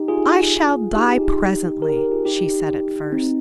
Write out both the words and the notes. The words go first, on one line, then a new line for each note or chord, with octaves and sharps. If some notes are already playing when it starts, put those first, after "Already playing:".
"I shall die presently!" she said at first.
Already playing: D#4 G4
F4 G#4
D#4 G4
G4 A#4
G4 A#4
F4 G#4
D#4 G4
C4 D#4